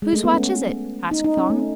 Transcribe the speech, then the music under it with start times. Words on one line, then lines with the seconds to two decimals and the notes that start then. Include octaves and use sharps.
"Whose watch is it?" asked Thong.
0.02 G#3
0.13 A3
0.24 B3
0.34 C#4
1.11 D#4
1.24 D#4
1.37 C#4
1.50 A3